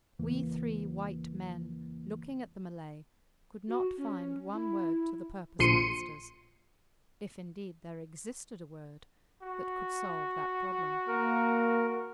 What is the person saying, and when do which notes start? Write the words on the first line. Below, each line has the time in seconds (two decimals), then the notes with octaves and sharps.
We three white men, looking at the Malay, could not find one word to the purpose amongst us--if indeed there existed a word that could solve that problem.
0.19 E2 C#3 E3 A#3
3.68 F#4
3.98 C#4
4.53 E4
5.59 A#1 F3 C6 C#7 D#7
9.42 F#4
11.08 A#3 A#4